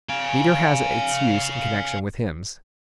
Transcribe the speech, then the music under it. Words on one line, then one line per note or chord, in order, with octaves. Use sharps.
Meter has its use in connection with hymns.
F5 G#5